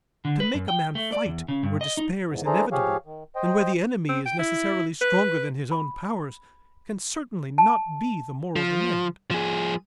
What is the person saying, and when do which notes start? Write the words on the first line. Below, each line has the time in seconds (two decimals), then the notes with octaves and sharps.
To make a man fight where despair is inevitable, and where the enemy is necessarily stronger than his own powers, can certainly not be the moral demand.
0.25 D3
0.40 B4
0.54 F#2
0.68 G5
0.95 A3
1.12 D5
1.26 E2
1.48 C#3
1.63 G2
1.81 D#5
1.97 D#4
2.28 E2 G#2
2.46 E3 D4 G#4 A4 C5 A#5
2.72 F3 G4 G#4 C#5 F5
3.06 D#3
3.35 C5 D#5 G5
4.09 C4
4.26 G5
4.39 E4
5.01 B4
5.72 B5
7.58 A5
8.56 F3
9.31 F3 G#4